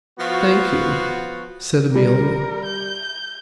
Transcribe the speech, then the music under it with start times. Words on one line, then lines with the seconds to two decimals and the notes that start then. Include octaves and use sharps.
"Thank you," said Amelia.
0.19 F3 B3 F4 F#4
1.95 G3 A#4
2.65 G6